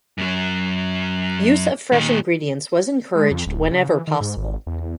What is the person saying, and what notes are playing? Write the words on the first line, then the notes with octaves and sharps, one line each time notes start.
Use of fresh ingredients was encouraged whenever possible.
F#2 F#3
A#2 D#3
G#3
F2
D1
C#3
E3
D#3
G#2
G#1
E2